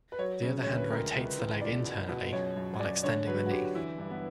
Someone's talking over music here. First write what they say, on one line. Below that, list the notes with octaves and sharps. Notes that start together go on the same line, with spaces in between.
The other hand rotates the leg internally while extending the knee.
B4
F#3 C#5
C#3
D2 C#5
B4
C#2 A#4
C#2
B4
E3
C#2 D5
B2
B2
F#2 C#5
F#2
F#2 D5
D3 C#5
F#3 B4
F#4
D3 G4
E3 E4
G2
B3